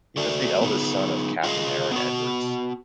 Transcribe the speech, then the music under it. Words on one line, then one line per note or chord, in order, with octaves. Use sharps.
He was the eldest son of Captain Aaron Edwards.
F#4 A4 D5
B3 D#4 G#4
F4 G#4 D#5 F5
B3 F#4